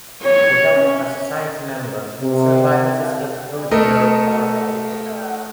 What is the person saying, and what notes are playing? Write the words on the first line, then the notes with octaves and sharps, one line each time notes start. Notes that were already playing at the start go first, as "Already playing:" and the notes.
With the help of a Society member, the survivors escape through the mirror portal.
C#5
C#4
C3
A3 A4 A#4 D#5